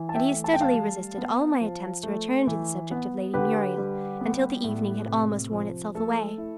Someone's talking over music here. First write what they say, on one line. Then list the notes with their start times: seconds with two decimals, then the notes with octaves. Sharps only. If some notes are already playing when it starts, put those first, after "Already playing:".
And he steadily resisted all my attempts to return to the subject of Lady Muriel until the evening had almost worn itself away.
Already playing: E3
0.09 A5
0.15 E5 G5
0.30 A3
0.44 A5
0.53 G5
0.61 F5 A5
0.73 G3
1.17 B3
1.61 F3
2.03 A3
2.47 E3
2.91 B3
3.34 D3 G4 B4
3.78 G3
4.21 B3
4.64 A2
5.08 C3
5.52 F3
5.95 A3 A4
6.38 E4